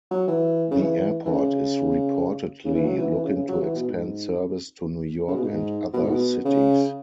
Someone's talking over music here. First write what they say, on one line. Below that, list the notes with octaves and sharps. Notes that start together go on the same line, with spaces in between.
The airport is reportedly looking to expand service to New York and other cities.
F#3
E3
C#3
E3
E3
C#3
C#3
E3
F#3
E3
E3
C#3
C#3
F#3
E3
B2
G#2
C#3
B2
G#2
B2
G#2
B2
C#3